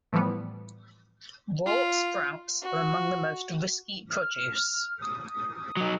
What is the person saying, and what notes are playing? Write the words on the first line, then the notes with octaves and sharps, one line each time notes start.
Raw sprouts are among the most risky produce.
A2 E3 F3 G3 B3
F4
F#4
F6
D#6
F#3 D#4